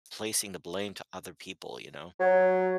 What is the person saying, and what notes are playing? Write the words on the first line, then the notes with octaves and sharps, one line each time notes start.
placing the blame to other people, you know?
F#3